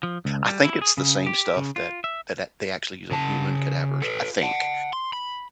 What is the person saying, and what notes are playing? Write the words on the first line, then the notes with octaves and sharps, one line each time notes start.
I think it's the same stuff that tha that they actually use on human cadavers, I think.
F3
C#2
G3
E4
G#4
C#3
G4
C#3
F4
E5
C#3 A5
A4 B4
F#5 A5
C6
B5